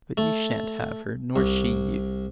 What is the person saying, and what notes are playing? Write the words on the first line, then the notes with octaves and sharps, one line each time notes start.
But you shan't have her, nor she you.
A3
C2